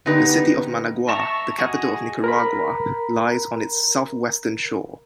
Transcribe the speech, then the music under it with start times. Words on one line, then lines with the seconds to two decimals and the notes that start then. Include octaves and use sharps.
The city of Managua, the capital of Nicaragua, lies on its southwestern shore.
0.06 D3 B3 D#4 G4 B4
1.09 E5 A5 A#5 C#6
1.59 F#4 G#4 D#5
2.24 A#4 A#5 B5